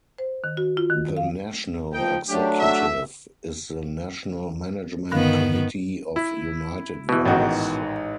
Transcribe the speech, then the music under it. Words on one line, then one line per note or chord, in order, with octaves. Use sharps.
The National Executive is the national management committee of United Voice.
C5
D#3
F#4
F4
D#3
F5
F3 D#4 G5
F#3 A3 D4 G4
E5
G2 D3 D#3 B3 F5
E4
B2 E3
A1 G#2 D#3 F#4